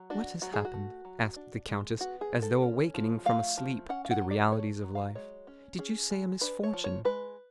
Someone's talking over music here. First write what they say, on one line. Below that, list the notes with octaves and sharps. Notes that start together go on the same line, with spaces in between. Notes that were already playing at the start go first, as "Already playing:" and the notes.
What has happened?" asked the countess, as though awakening from a sleep to the realities of life; "did you say a misfortune?
Already playing: F#3
D4 F#4
F#3 F#4
G#4
F#4
A3
F#3
D4
G#3
B3 F#4
G#4
G#3
A4
C#4
F3
A3 F5
F3
C#4 F#5
F5
F#5
F#3
D5
A3 C#5
F#3
F5
G#3 C#5
C#4
C#4 G#4
G#3
D4 B4
C#5
F3
C#5
G#3 B4